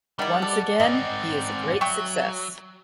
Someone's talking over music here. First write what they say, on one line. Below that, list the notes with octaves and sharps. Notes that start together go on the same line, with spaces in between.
Once again, he is a great success.
D#3 G3 E4 D5 F#5
A4
G#2 C4 D#5
F#3 E5 G5 C#6